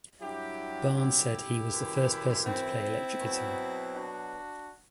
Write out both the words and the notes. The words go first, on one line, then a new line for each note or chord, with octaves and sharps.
Barnes said that he was the first person to play electric guitar.
G2 F#3 E4 G4
E4 G4
F#2 E3
C4 E4
B2 F#3
D4 F#4